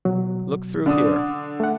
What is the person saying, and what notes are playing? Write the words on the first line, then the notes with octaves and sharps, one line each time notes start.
"Look through here."
B2 F#3
D3 D4 D#6
A3 F#5